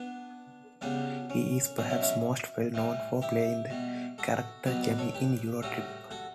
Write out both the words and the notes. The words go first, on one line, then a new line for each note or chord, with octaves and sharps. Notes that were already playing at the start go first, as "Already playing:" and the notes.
He is perhaps most well known for playing the character Jamie in "EuroTrip".
Already playing: B3 D4
C#3 G3 B3 D4
C#4
B2 F#3 C#4
C#4 E4
C#4 E4
A2 E3 G3
E4 G4
B2 G3
F#4 A4
B2 F#3 G4 B4
B4 D5
A4 C#5
G4 B4
A2 G3 F#4 A4
F#4 A4